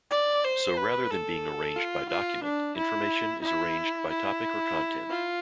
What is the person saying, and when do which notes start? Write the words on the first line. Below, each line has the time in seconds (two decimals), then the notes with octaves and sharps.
So rather than being arranged by document, information is arranged by topic or content.
0.10 D5
0.44 C5
0.77 B4
1.11 A4
1.76 F4
2.09 F4
2.44 D4
2.77 E4
3.42 E4
4.10 E4
5.10 F4